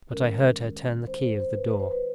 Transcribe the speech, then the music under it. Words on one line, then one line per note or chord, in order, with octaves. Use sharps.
But I heard her turn the key of the door.
D#3 G#3 C#4 A#4
C5
C5
C5
B4
B4
C5
B4